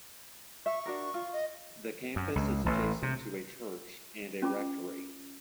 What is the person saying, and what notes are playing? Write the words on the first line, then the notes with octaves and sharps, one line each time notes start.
The campus is adjacent to a church and a rectory.
E5 C#6
D4 F#4 A#4
F4
D#5
F#2
C#2
A1
C3
C#4 F4 D6